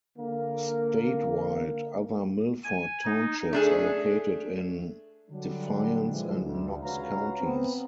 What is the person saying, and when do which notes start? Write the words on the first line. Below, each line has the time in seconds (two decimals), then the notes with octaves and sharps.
Statewide, other Milford Townships are located in Defiance and Knox counties.
0.16 D3 A#3
2.64 G#5
3.05 D#4
3.53 A3 D4 G#4
5.31 D3 F#3 G3 D4
6.10 A#1 D3 E3 F3 G#3
6.42 D2
6.84 C#2 F#4 B4 C#5 F5 A#5
7.40 B3 C4